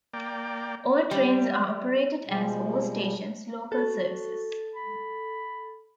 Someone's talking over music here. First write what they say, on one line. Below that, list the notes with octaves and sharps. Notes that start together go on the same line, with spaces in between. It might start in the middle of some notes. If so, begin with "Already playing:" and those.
All trains are operated as all-stations "Local" services.
A#3 D5 G5
G3
B2 F3 G3 G#3
F#4 A4
B5